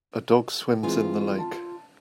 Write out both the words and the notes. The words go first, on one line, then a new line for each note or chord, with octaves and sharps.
A dog swims in the lake.
E3 G#3 C4 F4 G#5
A5